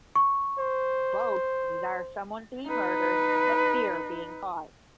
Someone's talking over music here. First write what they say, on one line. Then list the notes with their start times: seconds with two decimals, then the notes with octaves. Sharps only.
Both desire someone to be murdered but fear being caught.
0.16 C#6
0.58 C5
2.67 D#4 B4